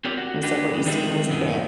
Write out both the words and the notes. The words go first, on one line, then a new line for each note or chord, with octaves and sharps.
And it's, like, "What you see, what you get."
C4 F4 G4 A#4 C#5 D5
F#4
D4 D#4 G4 B4
E3 G#3
D#3 G3 G#3 C4 D#4 E4
F#2 A#2 D#3